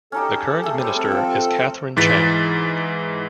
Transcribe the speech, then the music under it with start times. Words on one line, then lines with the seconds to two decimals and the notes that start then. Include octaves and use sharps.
The current Minister is Katharine Chang.
0.12 C#4 D#4 G4 A4
0.63 A3 G#4
0.79 G3 C5 C#5
0.95 C4 A4
1.12 F3
1.96 G#2 E3 A6 B6